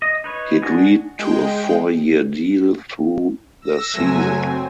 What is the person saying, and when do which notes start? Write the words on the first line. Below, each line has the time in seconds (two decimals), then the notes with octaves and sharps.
He agreed to a four-year deal through the season.
0.02 D#5
0.24 D#4 B4 C#5
0.62 D4 F#4 G#4
1.19 G#3 G5
3.61 E6 A#6
3.94 F#1 F#3 A3 G#5
4.38 C4